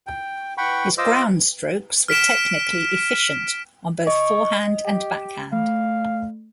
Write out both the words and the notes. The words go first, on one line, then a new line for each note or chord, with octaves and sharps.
His groundstrokes were technically efficient on both forehand and backhand.
G5
F#5 G5 B5 C#6
F4 C5 D#5 D6 E6
F6 B6 D7 E7
D#5 C#6
G4
A3 F5